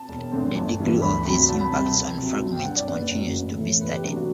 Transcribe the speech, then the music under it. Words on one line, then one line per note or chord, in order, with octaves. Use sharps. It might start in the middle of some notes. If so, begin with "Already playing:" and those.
The degree of these impacts on fragments continues to be studied.
Already playing: A5
E1
E2 D3 A3 C4
G1
G2 E3 G3
D2 B5
C3 F#3 C4 B5
C2 A5
B5
C3 G3 C4 A5
C2
C3 F#3 C4
G1 A5
G5
G2 D3 F#5
D5
F#1 B4
F#2 F#3
A1
A2 E3 A3
E2 B4
G4
C3 F#3 A3 D4 F#4
F#4